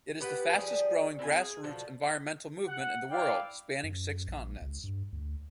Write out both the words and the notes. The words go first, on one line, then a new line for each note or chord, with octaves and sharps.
It is the fastest growing grassroots environmental movement in the world, spanning six continents.
B3 G4 B4 F#5
F3 G3 G#4
C4 E4 F4 G#5
G#4
B2 D3 F3
F#5
E4 D5 F5 G5
F#2
A#1
C#2
G2
D2